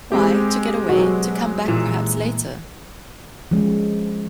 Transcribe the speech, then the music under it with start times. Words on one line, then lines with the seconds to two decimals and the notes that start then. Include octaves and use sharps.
Why, to get away — to come back perhaps later.
0.12 G#3 C4 G4
0.89 B2 F#3 F#4
1.68 A#2 E3
3.51 F3 G#3 C#4